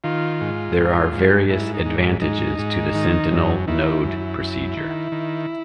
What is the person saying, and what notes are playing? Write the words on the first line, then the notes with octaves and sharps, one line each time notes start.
There are various advantages to the sentinel node procedure.
D#3 F4
G#2
G#2
G#2
G#2 E4
D#4
G#2
G#2 D#4
G#2
D#3
F#2
D#3 E4
F#2
F#2
D#3
D#3